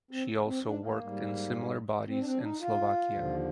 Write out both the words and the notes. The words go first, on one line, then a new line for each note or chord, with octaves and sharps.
She also worked in similar bodies in Slovakia.
C4
C4
D4
A#3
G#2 G3
C4
D4
C4
D4
D#4
F4
D#2 D3 F3